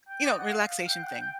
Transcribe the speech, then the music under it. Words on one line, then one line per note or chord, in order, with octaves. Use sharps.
you know, relaxation thing.
G5
D5
D#5
F#5
F5
F5
G5
F#5
G5
G5